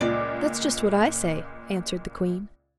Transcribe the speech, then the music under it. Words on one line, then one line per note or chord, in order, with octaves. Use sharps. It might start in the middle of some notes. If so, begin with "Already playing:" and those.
"That's just what I say," answered the queen.
C#2 A#2 D5